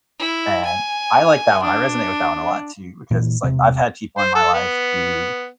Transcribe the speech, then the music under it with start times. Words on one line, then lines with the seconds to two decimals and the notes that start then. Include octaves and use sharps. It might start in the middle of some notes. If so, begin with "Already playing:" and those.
And, I like that one. I resonate with that one a lot too, because it's like, I've had people in my life who
0.19 E4
0.65 G#5
1.63 D4
3.11 A#2 E3
3.43 E1 C#2 C3 C4
4.17 C5
4.35 A4
4.53 B3